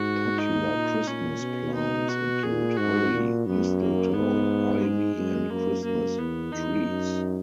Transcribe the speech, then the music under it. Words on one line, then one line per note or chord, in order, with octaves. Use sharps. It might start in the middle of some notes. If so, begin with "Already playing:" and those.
Popular Christmas plants include holly, mistletoe, ivy and Christmas trees.
Already playing: G#2 F#4
D#4
A#2
A#2 C#4
B2
D#4
F#4
A#2 G#4
G#2 F#4
A#2
F#2 B3
A#3
G#2 B3
G#3
F#2
F#2 A#3
F#2 A#3
E2 B3
E2 D#4
F#2